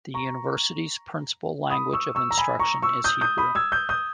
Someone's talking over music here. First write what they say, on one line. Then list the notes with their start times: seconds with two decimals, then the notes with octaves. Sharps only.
The university's principal language of instruction is Hebrew.
0.14 A#5 C#6
1.70 B5 D#6
1.93 C#6 E6
2.15 C#6 E6
2.31 A#5
2.38 G#5 B5
2.59 A#5 C#6
2.82 C#6 E6
3.04 D#6 G6
3.21 D#6 G6
3.38 B5 D#6
3.55 E6 G#6
3.72 D#6 G6
3.89 D#6 G6